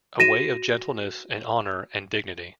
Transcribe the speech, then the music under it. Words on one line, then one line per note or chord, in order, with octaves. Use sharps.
A way of gentleness and honor and dignity.
F#4 A#6 D#7 E7